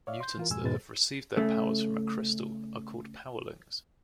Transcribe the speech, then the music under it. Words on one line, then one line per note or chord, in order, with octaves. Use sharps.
Mutants that have received their powers from a Crystal are called Powerlings.
C#5 D5 E5 F5
C6 G6
E3 F4 A#4
F2 G#2 B2 G#3 G#5 E6
E2 G#2 B2 G#3 B4 A6
C#3 A3